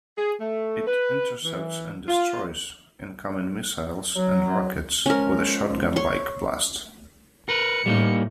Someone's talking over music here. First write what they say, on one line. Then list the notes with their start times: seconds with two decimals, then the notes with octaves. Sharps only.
It intercepts and destroys incoming missiles and rockets with a shotgun-like blast.
0.17 G#4
0.39 A3
0.87 B4
1.43 E3
2.08 F4
4.16 F#3
5.06 F3 G#3 C#4 A#4
5.96 C#5 C6
7.49 A#4 B4 C#7
7.86 A2 G3 A#3 D#4